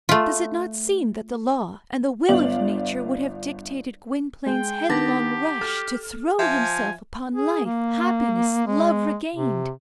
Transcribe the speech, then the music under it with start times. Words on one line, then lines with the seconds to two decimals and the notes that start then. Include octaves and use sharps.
Does it not seem that the law and the will of nature would have dictated Gwynplaine's headlong rush to throw himself upon life, happiness, love regained?
0.09 A3 F4
2.29 G1 B3 D5 F5 F#7
4.46 G#3 G5
4.89 D#3 B3 D4 G4 F#5 A5 A#6
5.61 A4 F6
6.39 F3 E5 G#5
7.35 G#4
7.65 A#3
8.67 G#3
9.35 C3